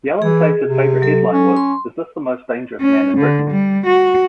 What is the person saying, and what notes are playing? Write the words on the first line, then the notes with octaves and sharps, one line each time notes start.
Yelland says his favourite headline was Is this the most dangerous man in Britain?
E3 G#4
C3
F#3 A4
C#4
C6
C#4
D3
G3
F#4